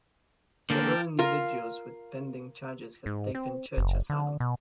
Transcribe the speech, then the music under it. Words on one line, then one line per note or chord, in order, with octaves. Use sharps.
Several individuals with pending charges had taken church asylum.
D3 A#3 A#4 G5 A5
F4 A#4
G#2
C4
F#1
D3
B2